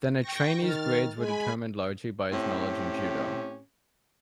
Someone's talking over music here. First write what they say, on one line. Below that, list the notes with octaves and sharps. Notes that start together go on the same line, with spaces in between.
Then a trainee's grades were determined largely by his knowledge in judo.
G5 C#6 A#6
D#3 F6 A6
G#3 G#5 B5
A2 C4 C#4 G4